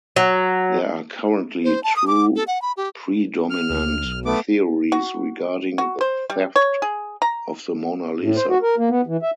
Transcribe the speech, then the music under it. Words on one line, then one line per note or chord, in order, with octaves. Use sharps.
There are currently two predominant theories regarding the theft of the "Mona Lisa".
F#3
C5
A5
D#6
D6
A4
F#5
B5
G4
F6
D2
B1
A3 B3 D6
F#4
F#4
C5
G3
C#5
G#4
A#5
A2
C5
F#4
A#4
A#3
B3
E3
E5